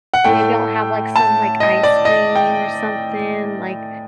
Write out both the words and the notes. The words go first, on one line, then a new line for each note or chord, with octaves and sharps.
maybe I'll have, like, some, like, ice cream or something like,
F#5
A2 A3 G5
A5
D#5
D5
D#5
G5